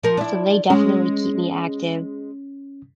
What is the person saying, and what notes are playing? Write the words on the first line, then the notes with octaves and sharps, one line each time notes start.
so they definitely keep me active,
F3 A#4
D4 E4
G#3 C#4